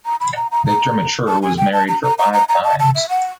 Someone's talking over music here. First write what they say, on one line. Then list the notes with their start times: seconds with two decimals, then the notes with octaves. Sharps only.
Victor Mature was married for five times.
0.05 A#5
0.20 B5
0.36 A#5
0.51 A#5
0.66 A#5
1.27 A5
1.43 G#5
1.58 G5
1.73 A5
1.88 A#5
2.03 A#5
2.18 A#5
2.33 A#5
2.49 A#5
2.64 A5
2.80 A5
2.95 E5
3.09 F#5